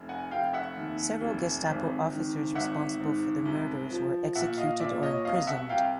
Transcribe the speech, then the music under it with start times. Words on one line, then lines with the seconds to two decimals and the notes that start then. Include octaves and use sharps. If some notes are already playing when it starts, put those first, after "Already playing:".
Several Gestapo officers responsible for the murders were executed or imprisoned.
Already playing: F1
0.09 F#5 G#5
0.31 F1 F5 G5
0.53 E5 F#5
0.76 D#2
1.21 F1
1.66 G#1
2.11 D#3
2.55 G#1 E5 F#5
3.01 G#2
3.45 C2
3.90 F3
4.35 A#2 E5 F#5
4.58 D#5 F5
4.80 A#2 D5 E5
5.03 C#5 D#5
5.25 C2 D#5 F5
5.47 E5 F#5
5.69 C2 F5 G5